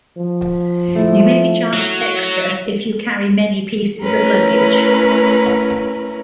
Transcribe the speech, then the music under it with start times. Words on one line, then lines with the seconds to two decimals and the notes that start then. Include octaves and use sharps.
You may be charged extra, if you carry many pieces of luggage.
0.18 F3
0.95 A3 E4
1.73 F#3
4.02 A3 C#4 E4 A#4 B4